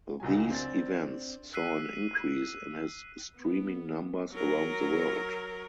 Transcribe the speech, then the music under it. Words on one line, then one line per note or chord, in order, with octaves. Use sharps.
These events saw an increase in his streaming numbers around the world.
C#2 A#2 F#3 G#5
C4 D4 A6
E6 F#6 B6 C7 D#7
B3
F#3 A#4